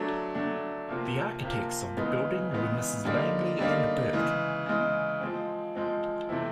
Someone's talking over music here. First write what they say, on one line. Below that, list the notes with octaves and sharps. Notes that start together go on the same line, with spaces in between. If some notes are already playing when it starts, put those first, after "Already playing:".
The architects of the building were Messrs. Langley and Burke.
Already playing: F#3 A3 D4
F#3 A3 D4
C3 F3 A#3
C3 F3 A#3
C#3 E3 G#3 B3
C#3 E3 G#3 B3
D3 G3 A#3 D#4
D3 G3 A#3 D#4
C#3 E3 G#3
C#3 E3 G#3
F3 G#3 C4
F3 G#3 C4
C3 E3 A3 C4 E4